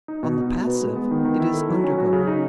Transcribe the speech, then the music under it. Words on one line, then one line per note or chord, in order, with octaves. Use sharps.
On the passive, it is undergoing.
D#4
B2
B2
F#4
B4
G#3
B3
D#3
D#3
E4
A4
F#3
C#4
F#4
C#3
D#4